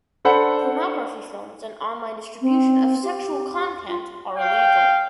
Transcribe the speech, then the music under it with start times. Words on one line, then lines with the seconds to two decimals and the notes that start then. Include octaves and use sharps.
Pornography films and online distribution of sexual content are illegal.
0.25 D4 A4 C5 F#5 B5
2.42 C4
3.03 G4
3.88 F4
4.37 F5 G5